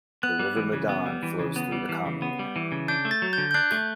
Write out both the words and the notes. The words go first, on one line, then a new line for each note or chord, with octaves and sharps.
The river Madon flows through the commune.
B3 F#6
G3
E3
C#3
B3
G3
E3
C#3
B3
G3
E3
C#3
B3
G3
E3
C#3
D4 G6
A3
A6
F#3
G6
D3
G6
D4 F#6
A3